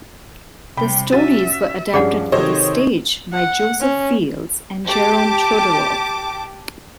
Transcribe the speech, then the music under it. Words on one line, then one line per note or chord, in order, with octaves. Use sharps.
The stories were adapted for the stage by Joseph Fields and Jerome Chodorov.
C3 G3 G5 B5
C#4 F#4 E5 A6 D#7
G2 F3 C#4 G#4 D5 F#5
C3 D#3 F#4 A4 C5 C#5 D#5
F#5
C#4
G4 A5 D6